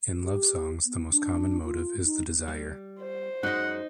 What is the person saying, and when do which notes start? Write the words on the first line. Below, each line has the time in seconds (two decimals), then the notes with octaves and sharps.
In love songs the most common motive is the desire.
0.24 G4
0.86 B3
1.11 D4
1.65 F4
2.05 D#4
2.48 G3
3.00 C5
3.43 F#2 G#3 D#4 D#5 F#5